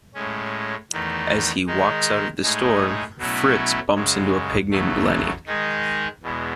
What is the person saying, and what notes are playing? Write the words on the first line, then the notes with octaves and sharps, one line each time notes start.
As he walks out of the store, Fritz bumps into a pig named Lenny.
A2 G#3 C#4
E2 D#3 A3 D#4
D#3 G#3 D#4
A2 G#3 D#4 G#4
B2 F#3 A3 C#4 E4
F#2 C#3 G#3
E2 C#3 F#3 A3
D#3 G#3 D#4 G#4
E2 B2 G#3